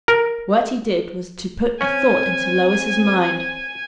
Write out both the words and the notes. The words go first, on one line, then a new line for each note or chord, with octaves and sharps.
What he did was to put a thought into Lois's mind.
A#4
C4 C#4 G#5